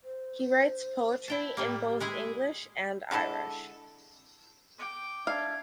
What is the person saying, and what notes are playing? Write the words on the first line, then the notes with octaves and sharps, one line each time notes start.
He writes poetry in both English and Irish.
C5
E4 G5 A5
A2 G3 A#3 G4
G#3 E4 G#4
D3 G#3 E4 A4
G5 D6
D4 D5 E5 F5 G#6